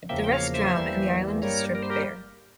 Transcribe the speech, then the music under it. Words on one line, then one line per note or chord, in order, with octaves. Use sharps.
The rest drown, and the island is stripped bare.
E2 C#3 F3 A#3 E5 G5
G5
C#5 F5
C5 E5
E2 E3 G3 A#3
G2 G3 A#3 A#4 C#5
A#4
C5
G4 A#4